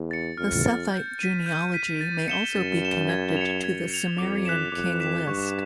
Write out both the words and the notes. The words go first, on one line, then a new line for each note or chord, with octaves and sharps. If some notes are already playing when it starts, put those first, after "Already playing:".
The Sethite genealogy may also be connected to the Sumerian King List.
Already playing: E2
A6 C#7
F2 F6
A6 C#7
G6
B6 D#7
G6
B6 D#7
A6
C#7 E7 G7
F#2 A6
C#7 E7 G7
G#6
C#7 F7
G#6
C#7 F7
F2 D6
F#6 B6 E7
F2 D6
F#6 B6 E7
G2 C#6